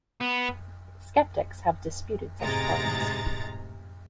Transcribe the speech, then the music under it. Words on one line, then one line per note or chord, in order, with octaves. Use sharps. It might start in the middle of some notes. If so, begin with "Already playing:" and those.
Skeptics have disputed such claims.
B3
A1 G#2 C3 G#3 A#5 A6